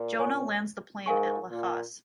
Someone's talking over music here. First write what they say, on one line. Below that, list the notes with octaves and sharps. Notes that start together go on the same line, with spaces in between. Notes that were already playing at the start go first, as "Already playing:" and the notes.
Jonah lands the plane at Lajes.
Already playing: A#2
C#5 G#5 C#6
G#2 A#4 F5 G#5 C#6
A#2